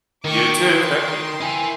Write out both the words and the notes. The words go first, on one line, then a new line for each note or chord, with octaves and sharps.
You, too. Thank you.
D#3 G5 C#6 D6
A#4 G5 C6
E4 G#5